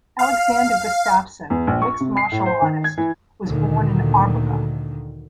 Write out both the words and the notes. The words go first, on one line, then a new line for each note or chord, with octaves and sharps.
Alexander Gustafsson, mixed martial artist, was born in Arboga.
F5
E2
A#1
C#6
C3
C7
A2
C5
D#3
G#6
E3
D2 A#2 D3 D#3